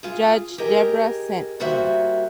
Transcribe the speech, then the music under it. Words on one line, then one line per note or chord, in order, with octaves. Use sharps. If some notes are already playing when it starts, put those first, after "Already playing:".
Judge Debra sent me.
F4 G#4
G4 G#4 A#4 D#5
G3 A#3 F#4 C5 E5